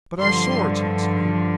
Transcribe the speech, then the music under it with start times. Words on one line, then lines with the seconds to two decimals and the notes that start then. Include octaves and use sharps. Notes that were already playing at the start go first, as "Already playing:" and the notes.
"But our swords!" he exclaimed.
0.20 G2 D3 F3 C6